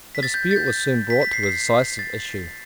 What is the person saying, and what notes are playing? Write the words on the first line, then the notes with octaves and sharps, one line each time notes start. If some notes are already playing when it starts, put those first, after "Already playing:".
The dispute was soon brought to a decisive issue.
B6
A6
G6
A6
G6
A6
B6
B6
C7
C7
A6